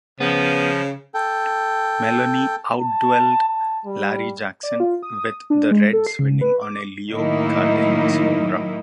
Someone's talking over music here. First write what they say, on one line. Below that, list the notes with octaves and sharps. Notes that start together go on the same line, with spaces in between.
Maloney outdueled Larry Jackson, with the Reds winning on a Leo Cardenas home run.
C#3 F3 B3
A4 G5
A5
A5
G3
D5
F4
D#6
D4
G#3
A4
C7
C#3
B4
D6
A2 D#3 F#3 A#3 D#4 E4